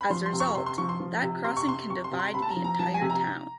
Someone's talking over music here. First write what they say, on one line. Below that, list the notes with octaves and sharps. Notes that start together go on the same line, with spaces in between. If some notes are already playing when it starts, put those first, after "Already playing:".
As a result, that crossing can divide the entire town.
B5
F3 C6
C6
C3
C#6
C3 C6
C6
F3 C#6
C6
F3
C3
C3 C6
C#6
C3 C6
C3 C#6
C6
C3
C6
C3 B5
A5
A#5
F3
A#5
F3 A5
G#5
C3
A#5